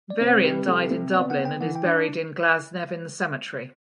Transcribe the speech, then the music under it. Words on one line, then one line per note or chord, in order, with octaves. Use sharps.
Varian died in Dublin and is buried in Glasnevin Cemetery.
D5
C3 C5
G3 B4
C3 A4
C3
B3 D5
F#5
B3
G5
E3 F#5
G5
D4